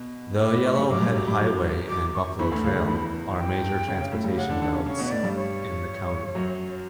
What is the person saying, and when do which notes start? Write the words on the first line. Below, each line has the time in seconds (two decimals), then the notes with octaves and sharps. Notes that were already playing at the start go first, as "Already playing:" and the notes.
The Yellowhead Highway and Buffalo Trail are major transportation routes in the County.
Already playing: B2 B3
0.40 A2 A3 D6
0.52 B2 B3
0.65 A2 A3 C#6
0.77 G2 G3
0.90 F#2 F#3 D6
1.02 G2 G3
1.14 F#2 F#3
1.27 G2 G3
1.39 F#2 F#3
1.89 D6
2.14 C#6
2.38 E2 E3 B5
2.52 D2 D3
2.64 C#2 C#3
2.75 D2 D3
2.88 E2 E3
3.37 G5
3.87 C#3 C#4
4.00 C#3 C#4
4.12 A2 A3
4.24 G2 G3
4.37 C#3 C#4 F#5
4.49 D3 D4
4.62 D3 D4
4.74 C#3 C#4
4.86 C#3 C#4 C#5
4.99 B2 B3
5.05 C#5
5.11 A2 A3 D5
5.24 G2 G3
5.36 C#5
6.35 F#2 F#3